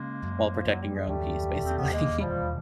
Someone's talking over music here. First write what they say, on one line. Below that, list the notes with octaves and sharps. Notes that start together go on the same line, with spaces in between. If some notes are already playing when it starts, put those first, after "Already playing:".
while protecting your own peace, basically.
Already playing: C#3 G#3 A#3
F#2
F3
F#2 F#3
G3
G#3
D#2 G3 A3
E1
C4
B3
D#2 G#3 A#3
F3 G3
E1